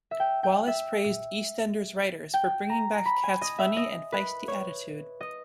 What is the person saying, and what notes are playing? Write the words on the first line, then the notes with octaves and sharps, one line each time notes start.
Wallace praised "EastEnders" writers for bringing back Kat's funny and feisty attitude.
E5
G5
G5
E5
G5
A#5
A#5
B5
G#5
D#5
E5
D#5
B4
C#5
D#5